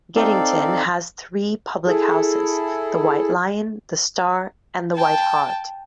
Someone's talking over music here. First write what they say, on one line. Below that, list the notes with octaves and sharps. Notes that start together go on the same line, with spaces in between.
Geddington has three public houses: The White Lion, The Star, and the White Hart.
C4 D#4 A4 D5 F5
E4 G#4 A4
G5 A5